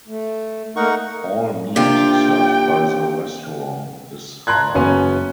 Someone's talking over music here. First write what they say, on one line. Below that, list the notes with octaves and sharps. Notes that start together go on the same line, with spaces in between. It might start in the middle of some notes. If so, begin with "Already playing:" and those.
All meat served by the restaurant is halal.
A3
A3 A#3 D#4 A#4 F#5 C#6
C3 A#3 D4 F4 G4 G5
A5 A#5 C6 F#6 G#6
F#1 B3 C#4 F#4 G#5